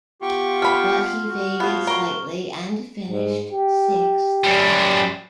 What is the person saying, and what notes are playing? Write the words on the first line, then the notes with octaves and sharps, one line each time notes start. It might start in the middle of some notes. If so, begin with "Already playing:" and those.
But he faded slightly and finished sixth.
B3 F4 G4 G5 C#6
F3 B5 F6
F#4
A2 B3 F4
A#4 C#6 G7
G#2
G4
F#2 G3